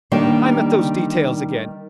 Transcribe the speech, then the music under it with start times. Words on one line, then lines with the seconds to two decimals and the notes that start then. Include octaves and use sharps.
I'm at those details again.
0.12 D#3 G3 A#3 D4